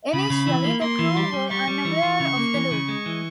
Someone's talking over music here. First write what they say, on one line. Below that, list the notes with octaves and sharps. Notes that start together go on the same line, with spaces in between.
Initially, the crew are unaware of the loop.
C#3 B5
C#3
E3
A#3
A#3 C6
E3
G3
G3
G3 C#6
G3
E3
E3
C#3
A#3
E3
C#3
G#3
E3